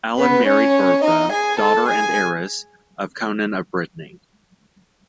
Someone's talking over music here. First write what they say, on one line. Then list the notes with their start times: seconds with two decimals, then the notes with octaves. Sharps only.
Alan married Bertha, daughter and heiress of Conan of Brittany.
0.19 B3 B4
0.47 C#4 C#5
1.03 D#4 D#5
1.32 G#4 G#5
1.60 A4 A5
1.88 G#4 G#5